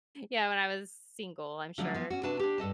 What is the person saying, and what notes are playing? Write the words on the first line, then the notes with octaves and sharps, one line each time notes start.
yeah, when I was single, I'm sure.
D3 F3 F#3 A3 C#4
F3 B3
C#4 F#4
C3 D4 F#4 B4 A5
D4 G4
G2 A4 D#5 A5